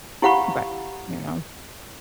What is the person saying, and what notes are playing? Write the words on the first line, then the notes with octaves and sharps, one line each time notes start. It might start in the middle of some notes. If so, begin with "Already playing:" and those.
but, you know?
E4 G4 F5 F#5 B5 C#6